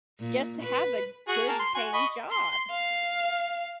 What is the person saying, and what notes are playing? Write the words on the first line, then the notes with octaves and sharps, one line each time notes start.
just to have a good paying job.
A#2
B4
F#4 G#4
A#3 A5
C6
F#4 G#5
D#5 B5 C#6
C6
F5